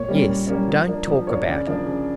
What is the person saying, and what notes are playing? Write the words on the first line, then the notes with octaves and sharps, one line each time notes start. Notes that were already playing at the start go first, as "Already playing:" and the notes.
"Yes; don't talk about it."
Already playing: A#2 C#5
G3 A#3 C#4
A#2
G3 A#3 C#4
F3
A#3 D4
F3 D5
A#3 D4 C#5
C#3 D5
F3 A#3 D4
C#3